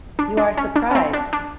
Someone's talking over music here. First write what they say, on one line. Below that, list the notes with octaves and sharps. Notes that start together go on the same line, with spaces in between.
You are surprised.
D4
D4
C#4
D4
C#4
C4
D4
D4